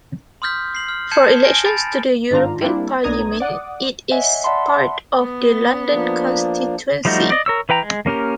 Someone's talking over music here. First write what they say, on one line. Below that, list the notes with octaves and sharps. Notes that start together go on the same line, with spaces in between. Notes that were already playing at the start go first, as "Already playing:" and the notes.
For elections to the European Parliament it is part of the London constituency.
C6 D#6 F6 G6 B6
C7 F#7
F6
A5 G6 G#6 C7 C#7 E7
G#5 F6 A#6 D7
A5 B5 A6
G1 G#2 D#3 D4 F4 A#5
G3 A#3 C4 D4 E4
B1 B3 D4 A#5 D#6 G#6
D5 F#5 D6 D#6
C#5 D#5 E5 F#5 G#5
D5 E5 F#5 A5 B5 C6
B3
F3 A#3 D4
F3 G3 A3 D#4 F#4
D5 D#5
A#4 C#5 E6
E3 B4 G5 A#5
G#3
A#3 C#4 G4 A#4